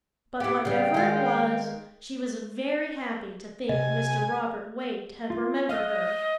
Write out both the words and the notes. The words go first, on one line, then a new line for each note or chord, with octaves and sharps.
But whatever it was she was very happy to think Mr. Robert Waite had remembered her.
E4 G4 A4 D6
C#3 G3 F5 G5
D#3 G#3
C3 D#5 G#5
F4
D#5 F5 F6 F#6